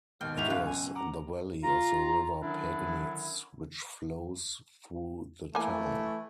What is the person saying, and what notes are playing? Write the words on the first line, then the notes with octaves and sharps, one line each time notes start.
It is in the valley of the River Pegnitz, which flows through the town.
D#2 G#2 B2 G5 F6
G#2 G3 C#4 E4 G4 F7
C#2 F#2 B2 F5 F#6
G#5
F#5 A#5 D6
F4 A#5
D3 D#3 F#3 C#4 D4 E4
E3 A3 A#3 G#5